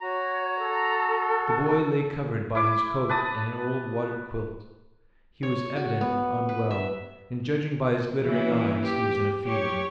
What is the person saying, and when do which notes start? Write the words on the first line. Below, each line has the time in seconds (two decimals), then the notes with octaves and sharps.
The boy lay covered by his coat and an old wadded quilt. He was evidently unwell, and, judging by his glittering eyes, he was in a fever.
0.01 F#4 C#5 A#5
0.58 A4
2.55 E4 D6
3.09 B4 A5 D#6
5.43 C#5
5.76 F#4
6.01 B3
6.49 B4
6.71 E5
8.22 E3 A#3 C#4 E4
8.84 G4
9.46 G4 C#5